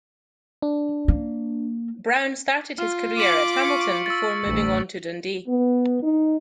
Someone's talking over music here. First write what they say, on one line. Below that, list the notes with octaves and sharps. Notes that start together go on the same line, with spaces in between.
Brown started his career at Hamilton before moving on to Dundee.
D4
A#3
F4 F6
D6 B6 D7 F#7
C#6 C#7
E6 A6
A1 D2
B3
D#4